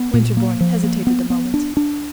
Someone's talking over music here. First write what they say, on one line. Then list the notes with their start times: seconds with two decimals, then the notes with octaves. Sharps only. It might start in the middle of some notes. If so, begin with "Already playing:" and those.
Winterbourne hesitated a moment.
Already playing: B3
0.14 A#2
0.37 A#3
0.61 F3
0.84 A#3
1.07 B3
1.30 B3
1.54 D4
1.77 D4